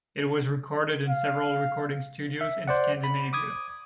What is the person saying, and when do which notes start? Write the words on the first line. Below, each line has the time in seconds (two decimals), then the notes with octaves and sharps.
It was recorded in several recording studios in Scandinavia.
1.08 F5
2.41 E5
2.68 C5 D5 F#5
3.04 B5
3.33 D6 D#6 G#6